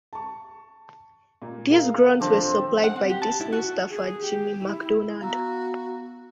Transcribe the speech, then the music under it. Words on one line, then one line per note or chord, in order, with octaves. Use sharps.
These grunts were supplied by Disney staffer Jimmy MacDonald.
A5 C#6
A#2
G#4 A#4 F5
D#1 F3 C4 D4 A4
F#5
C4
G4
A5
E4
F#4
G#4
G4
E4
B3 F#4 F5 A#5 E6